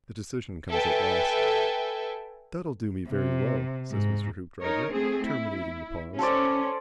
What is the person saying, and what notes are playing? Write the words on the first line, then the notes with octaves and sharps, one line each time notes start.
The decision comes at last. "That'll do me very well," said Mr. Hoopdriver, terminating the pause.
A4 B4 E5 G5 G#5
C3
G#2
D#4 A#4 C#5
A3 C4 G#4
E4
C#4 A4 C5 D5